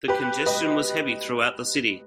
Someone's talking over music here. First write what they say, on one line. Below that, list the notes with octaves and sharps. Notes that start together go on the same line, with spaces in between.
The congestion was heavy throughout the city.
G4 B4
B4 D#5